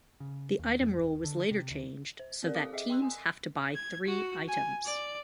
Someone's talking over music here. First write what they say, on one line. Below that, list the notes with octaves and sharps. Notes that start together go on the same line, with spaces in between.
The item rule was later changed so that teams have to buy three items.
C#3
D#2
F2
D#1
D3
C3
D2
C5
C4 G4 A#4 D5
A4 F5 D6 D#6
G#4 D#5 E5
G5 C6 E6 F#6
G#5 D#6
G#6
F#4
G#5
D5